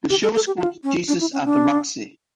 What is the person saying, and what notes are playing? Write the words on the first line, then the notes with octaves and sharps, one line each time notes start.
The show was called "Jesus At the Roxy".
G4
A4
A4
G4
F4
C#4
D4
E4
C#4
D4